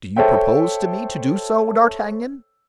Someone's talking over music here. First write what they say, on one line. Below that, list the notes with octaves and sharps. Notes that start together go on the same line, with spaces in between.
"Do you propose to me to do so, D'Artagnan?"
A4 C5 C#5 E5 G5